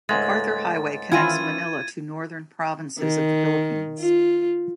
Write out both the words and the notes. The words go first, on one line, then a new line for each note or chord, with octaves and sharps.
MacArthur Highway connects Manila to northern provinces of the Philippines.
C#2 G#2 G#3 A3 A6
D#3 E3 C#4 E4 F4 G#5 G#6 D#7
D#3
F4